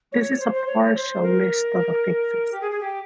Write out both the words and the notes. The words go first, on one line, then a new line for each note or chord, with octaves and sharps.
This is a partial list of affixes.
C#5
C5
C5
C#5
C#5
C5
A#4
G4
G#4
G#4
G4